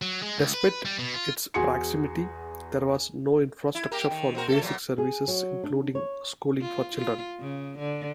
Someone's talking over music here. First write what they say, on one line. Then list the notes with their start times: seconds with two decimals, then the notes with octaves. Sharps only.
Despite its proximity, there was no infrastructure for basic services including schooling for children.
0.02 F#3
0.22 G#3
0.37 C#2
0.54 B4
0.85 G3
0.99 B2
1.14 F4
1.54 E2 F#4 G#4 G#5 C6 C#7
3.75 E4
3.91 A#3 G4 A#4
4.11 D#3
4.35 C4 F#4 A#4
4.48 A3 A4
4.61 A#2 F#3
4.98 G#4
5.28 F#3
5.64 D4
5.95 C#5
6.60 F4
6.97 F4
7.40 C#3
7.78 D3